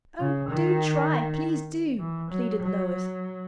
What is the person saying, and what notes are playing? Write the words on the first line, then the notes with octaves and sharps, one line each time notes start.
"Oh, do try, please do!" pleaded Lois.
C#3
D#3
E3
F#3
F#3